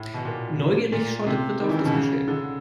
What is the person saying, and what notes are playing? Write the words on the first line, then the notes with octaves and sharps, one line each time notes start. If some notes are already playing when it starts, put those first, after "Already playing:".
Neugierig schaute Britta auf das Geschehen.
Already playing: A2
B2
A#2
A#2
C3
D#3
E3
C#3
B2
C#3
D3